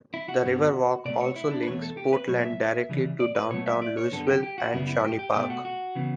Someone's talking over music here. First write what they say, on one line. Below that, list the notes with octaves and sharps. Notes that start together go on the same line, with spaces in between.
The River Walk also links Portland directly to Downtown Louisville and Shawnee Park.
E4
F#4
G2 D3 G3 B3
B2 A3 D5
C#5
E4
D4
B4
E2 B2 A3 C#5
A4
G4
B4
B2 F#3 A3 C#5
E5
C#3 E3 G3
D5
B4
B2 F#3 A3 C#5
E5
D5
C#5
F#2 D3 G3 B3 A4
G4
G4
F#4
F#2 C#3 G3 B3 E4
E4
G4
G4
B2 A3 G4
F#4
F#4
C#3 E3 B3